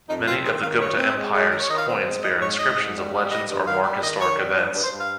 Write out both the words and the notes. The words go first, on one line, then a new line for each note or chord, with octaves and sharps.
Many of the Gupta Empire's coins bear inscriptions of legends or mark historic events.
F2 D#4
C4 F4
D#3 G#4
D#3 F5
G2 C#5
C4
G#3
G#3
D#3 A#4
C#5
D#3 D#5
F5
C4
G#3
G#2 D#5
G#2 C#5
G#2 D#5
G#2
G3
G3
G3 D#5
G2
D#3 F5
G3
D#3 D#5
D#3 C#5
G3
G2
G2
C5
G2
F5